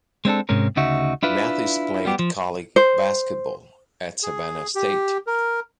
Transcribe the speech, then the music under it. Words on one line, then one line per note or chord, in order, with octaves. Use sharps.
Mathis played college basketball at Savannah State.
G#3 C4 D4 A4
G#2 C3 G#3 C#4 A#4
D2 C#3 D#4 F#4 E5
D4 E4 F4 B4
G3 B3 G4
F3
C5
G#4
G4
A#4